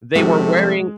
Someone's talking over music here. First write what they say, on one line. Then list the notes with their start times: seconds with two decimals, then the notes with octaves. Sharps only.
They were wearing
0.15 C3 F3 G#3 A3 E4 F#4